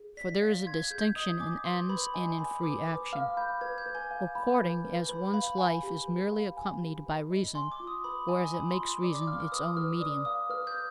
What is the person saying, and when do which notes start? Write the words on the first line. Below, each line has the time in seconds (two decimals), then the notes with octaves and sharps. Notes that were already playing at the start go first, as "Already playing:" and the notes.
For there is a distinction in ends and in free action, according as one's life is merely accompanied by reason or as it makes reason its own medium.
Already playing: G#4
0.17 D5 B6
0.42 F5
0.66 C6 G#6
0.90 G#4 G6
1.16 D#5 D#6
1.40 G#5 D6
1.65 B4 C6
1.89 B4 B5
2.14 D#5 G#5
2.39 G#5 B5
2.63 B4 D6
2.87 B4 D6
3.13 F5 F6
3.37 B5 G6
3.61 B4 G#6
3.78 G6
3.86 B4
3.95 G#5
4.11 F5
4.35 B5
4.60 B4
4.85 B4
5.09 B4 B5
5.34 F5 B5
5.58 G#5 B5
5.83 G4
6.08 B4
6.32 F5
6.57 G#5
6.82 G4
7.06 B4
7.31 D#5
7.55 G#5 C6
7.72 D6
7.80 F4
7.87 D#6
8.04 B4 B5
8.29 D#5 G#5
8.54 G#5 B5
8.70 C6
8.78 F4
8.87 C6
9.03 D5 D6
9.15 D6
9.27 F5 F6
9.40 F6
9.52 B4 D#6
9.77 B4 F6
10.00 D5 D#6
10.25 F5 D#6
10.50 B4 F6
10.67 G6
10.75 B4